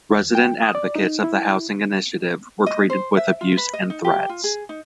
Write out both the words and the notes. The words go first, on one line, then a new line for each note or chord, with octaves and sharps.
Resident advocates of the housing initiative were treated with abuse and threats.
D#2
G5
D#6
D5
D#4
E4
D#5
C5
E5
F4
B4
D#5
D#4
G4
F4
G#4
D#4